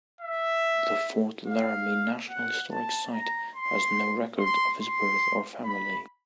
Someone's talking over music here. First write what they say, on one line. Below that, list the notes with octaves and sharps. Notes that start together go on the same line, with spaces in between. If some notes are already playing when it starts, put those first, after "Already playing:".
The Fort Laramie National Historic site has no record of his birth or family.
E5
F5
F#5
A5
A#5
C6
C6
C6
B5